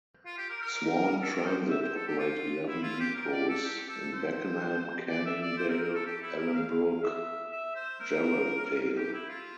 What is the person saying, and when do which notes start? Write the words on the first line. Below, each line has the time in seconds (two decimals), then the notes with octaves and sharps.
Swan Transit operate eleven depots in Beckenham, Canning Vale, Ellenbrook, Jarrahdale.
0.26 F4
0.38 G4
0.49 A#4
0.62 A#4
1.22 A4
1.34 A#4
1.46 C5
1.70 E5
1.82 C5
1.95 A4
2.07 G4
2.18 F4
2.67 E4
2.83 F4
3.00 G4
3.15 A#4
3.32 D5
3.48 A4
3.64 G4
3.89 A4
4.13 C5
5.09 D5
5.25 E5
5.42 D5
5.58 C5
5.69 A#4
5.82 A#4
5.95 A4
6.06 G4
6.22 E4
6.38 A#4
6.55 F5
7.03 E5
7.52 E5
7.76 C5
8.00 A#4
8.97 G4
9.13 E4
9.29 F4